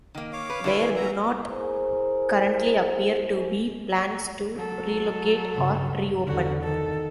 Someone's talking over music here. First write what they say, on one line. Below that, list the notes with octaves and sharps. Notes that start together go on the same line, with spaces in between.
There do not currently appear to be plans to relocate or reopen.
D#3 A#3
C#5 F5 D6
B4
D3 E4 B4
E3 G#4
F#4 E5 A#5
E4 G#4 A#4 C5
F#3 A4
G2 C#3
E2 D3 F#4
D#3 A4